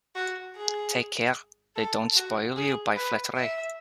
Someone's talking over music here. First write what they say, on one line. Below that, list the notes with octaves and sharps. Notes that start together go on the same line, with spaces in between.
Take care they don't spoil you by flattery.
F#4
G#4
A4
F#4
G#4
B4
E5